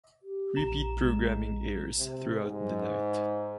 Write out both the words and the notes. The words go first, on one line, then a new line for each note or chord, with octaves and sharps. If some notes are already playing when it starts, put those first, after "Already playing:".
Repeat programming airs throughout the night.
G4
A#1 A#5 E7
G#3
C3
G#2